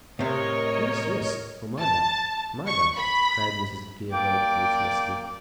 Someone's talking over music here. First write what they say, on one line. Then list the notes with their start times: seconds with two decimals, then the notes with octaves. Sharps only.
"Yes, yes! for murder--murder!" cried Mrs. Gilroy, breathlessly.
0.19 A2 C3 A#4 C#5 D#5
1.77 A5
2.66 C#6
2.96 B5
4.12 A#3 D5 G5